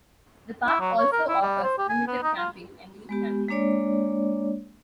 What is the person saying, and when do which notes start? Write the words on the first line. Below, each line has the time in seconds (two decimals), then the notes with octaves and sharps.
The park also offers primitive camping and youth camping.
0.67 E4
0.80 F#3
0.98 C#5
1.12 A#4
1.28 E4
1.42 G3
1.63 C5
1.78 G4
1.89 G#5
2.07 B3
2.23 D#4
2.38 F4
3.09 G#3 B3 G4
3.49 G#3 A#3 D4 C#5 D5